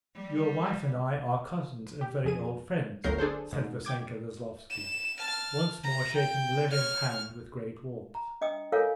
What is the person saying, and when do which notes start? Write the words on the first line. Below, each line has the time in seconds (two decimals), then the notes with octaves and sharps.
"Your wife and I are cousins and very old friends," said Vassenka Veslovsky, once more shaking Levin's hand with great warmth.
0.16 G3
2.01 G4
2.24 F2 G#4 D#7
3.04 G1 D2 F#3 A#4 G6 C7
3.18 D4 G#4 A4 C5
3.53 G#2
3.85 G5 D6 G#6
4.70 E7
5.19 A5 F6
5.83 A#5
6.17 G5
6.71 C#5 F6
8.15 A#5
8.41 D4 D#5 G5 D#6
8.72 F4 A4 A#4 C#5 F5 G#5